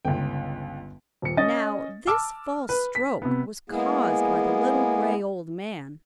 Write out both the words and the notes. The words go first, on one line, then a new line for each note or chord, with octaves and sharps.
Now, this false stroke was caused by the little gray old man.
G1 C#2 G5
D#1 C#7
C#4 D#5 A6
A5 D6 E6 F6
B4
B6
C3 B3
G#3 A#3 B3 E4 G#4